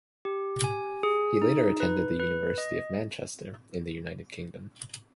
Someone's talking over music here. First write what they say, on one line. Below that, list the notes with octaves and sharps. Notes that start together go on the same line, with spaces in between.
He later attended the University of Manchester, in the United Kingdom.
G4
G#5
G#4
D#4
B4
B4
D#5